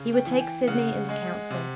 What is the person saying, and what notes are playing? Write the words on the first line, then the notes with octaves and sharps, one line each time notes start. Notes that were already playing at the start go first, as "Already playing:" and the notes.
He would take Sidney into council.
Already playing: C#3
G5
E3
G#5
G5
C#3 F#5
G#3
C3